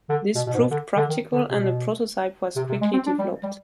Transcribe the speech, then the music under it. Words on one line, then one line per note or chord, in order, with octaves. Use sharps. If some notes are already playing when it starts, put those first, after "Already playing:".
This proved practical and a prototype was quickly developed.
D3
B2
B2
G#2
B2
D3
D3
D#3
D3
C3
B2
C3
C3
G#3
C4
D4
G3
G3